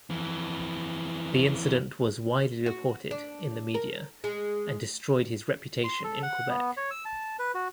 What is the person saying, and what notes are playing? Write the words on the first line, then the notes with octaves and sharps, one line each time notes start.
The incident was widely reported in the media and destroyed his reputation in Quebec.
F2 E3
F#4
D4
A#4
G#3
C6
A4
F#5
B3
C#5
E6
A5
B4
F#4